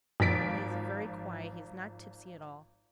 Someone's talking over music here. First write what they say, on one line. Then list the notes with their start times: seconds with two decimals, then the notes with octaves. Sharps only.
He is very quiet--he is not tipsy at all.
0.20 G#1 F3 A6 B6 D7